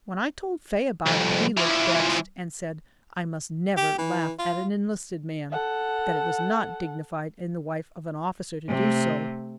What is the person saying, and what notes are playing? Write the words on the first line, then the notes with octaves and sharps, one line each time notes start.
When I told Faye about it, he looked vexed and said I must never laugh at an enlisted man--that it was not dignified in the wife of an officer to do so.
C2 F2
E3 F3
G4
E3
F4
A4 F#5
C3 A3